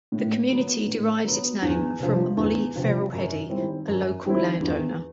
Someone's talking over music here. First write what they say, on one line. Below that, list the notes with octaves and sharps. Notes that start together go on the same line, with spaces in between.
The community derives its name from Mollie Ferrel Heady, a local land owner.
A2
F#3 B3
A2
F#3 B3
E2
C3 F3
E2
C3 F3
F#2
D#3 G3 C4 E4
F#2
D#3 G3 C4 E4
E2